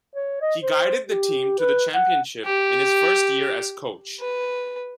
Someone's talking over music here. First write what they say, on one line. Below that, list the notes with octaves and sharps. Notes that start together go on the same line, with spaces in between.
He guided the team to the championship in his first year as coach.
C#5
D#5
C5
G4
B4
F#5
G4
B4